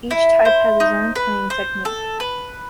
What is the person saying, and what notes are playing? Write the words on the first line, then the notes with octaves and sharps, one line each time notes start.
Each type has its own playing technique.
E4
C5
D#4
B4
C5
A4
B4